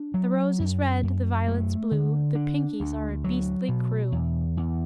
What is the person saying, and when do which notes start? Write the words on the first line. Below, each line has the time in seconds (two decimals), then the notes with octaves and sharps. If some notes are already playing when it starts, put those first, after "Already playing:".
"The rose is red, the violet's blue; The Pinkies are a beastly crew!"
Already playing: D4
0.14 F#3
0.59 F#2
1.03 F#2
1.47 A3
1.91 D3
2.35 D4
2.80 D2
3.24 F#3
3.69 B2
4.12 E2
4.57 E2